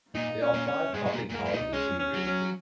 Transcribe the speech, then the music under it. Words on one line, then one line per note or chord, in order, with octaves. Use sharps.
There are five public houses in Greasby.
A#2 D#4
C#4
A#2
C#4
G#2 G#3
G#2
A#2
A#2
G#2 A#3
G#2
A#2 D#4
G#3 C#4
C#4
F#3
C#4